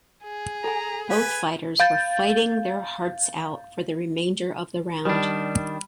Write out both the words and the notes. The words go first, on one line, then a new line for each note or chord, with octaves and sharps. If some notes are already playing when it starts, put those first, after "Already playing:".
Both fighters were fighting their hearts out for the remainder of the round.
G#4
A4 G#5 A#5
B4 F5 G#5
F5 G6 A6
D#3 G3 D4